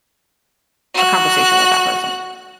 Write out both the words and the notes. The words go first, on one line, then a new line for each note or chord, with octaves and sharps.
a conversation with that person.
F#4 F#6